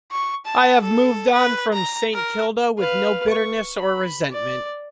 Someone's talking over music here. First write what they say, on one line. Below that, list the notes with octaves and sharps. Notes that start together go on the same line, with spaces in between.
I have moved on from Saint Kilda with no bitterness or resentment.
C#6
A5
A4
B4
A#5
A#4
B4 F5
C#6
B5
D5